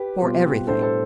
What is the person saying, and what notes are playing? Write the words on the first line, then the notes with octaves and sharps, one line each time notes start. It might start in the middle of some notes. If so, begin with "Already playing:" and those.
"For everything."
Already playing: G4 B4
B2 G3 C4 F4
A2 G3 B3 D4 A4 C5
A4 C5